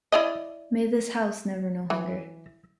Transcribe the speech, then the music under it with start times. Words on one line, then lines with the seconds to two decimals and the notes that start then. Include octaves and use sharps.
May this house never know hunger.
0.12 E4 D5 D#5
1.90 E3